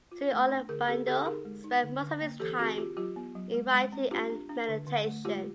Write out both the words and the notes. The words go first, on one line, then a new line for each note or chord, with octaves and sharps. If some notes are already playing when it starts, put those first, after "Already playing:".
Sri Aurobindo spent most of his time in writing and meditation.
F4
A3
D4
D3 G#4 A#4
C4 G4 A4
D3 G4 A4
D#4 G#4 A#4
G#3
D#4
D3
D3
A#3
E3 G4 A4
C4 F#4 G#4
F4 G4
F#3 F4 G4
B3
F#3
G#3
G#3
C4
D4 F4 G4
D4
D4
D3
D3
A3
G#3 F4 G4